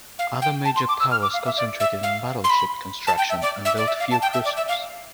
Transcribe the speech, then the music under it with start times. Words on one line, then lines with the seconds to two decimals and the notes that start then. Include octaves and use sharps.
Other major powers concentrated on battleship construction and built few cruisers.
0.19 F5
0.42 G5
0.65 A5
0.76 C6
0.89 D6
1.00 E6
1.11 F6
1.22 D6
1.34 F5
1.45 E5
1.57 D5
1.80 E5
2.03 F5
2.44 C6
2.50 B5
3.07 A5
3.18 G5
3.30 E5
3.42 D5
3.65 E5
3.77 D5
3.88 E5
4.00 F5
4.11 A5
4.22 G5
4.33 E5
4.45 D5
4.57 E5
4.68 F5